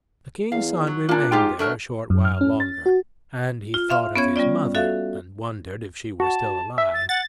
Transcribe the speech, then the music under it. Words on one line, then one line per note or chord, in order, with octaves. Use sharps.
The king's son remained there a short while longer, and he thought of his mother, and wondered if she were still alive.
E2 F5
F#3
A#2 A#3 D4
G#2 F4 G4
D3 F#3 A3 A#4
F#2
F6
C#4
A6
F#4
F4
E5 F5 C6 F6
B3 C#4 C#5 G#6
G3 C#4 F4 D5
F#4 A4 E5 F5
F#4 A5
E5
A6
F#5 A6